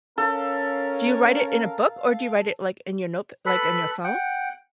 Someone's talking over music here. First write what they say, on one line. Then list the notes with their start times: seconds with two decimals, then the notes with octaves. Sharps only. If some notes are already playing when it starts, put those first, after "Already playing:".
Do you write it in a book, or do you write it, like, in your notep like, in your phone?
0.18 C#4 A4 A#4 F5
3.46 A4 B4 B5
4.04 F#5 G5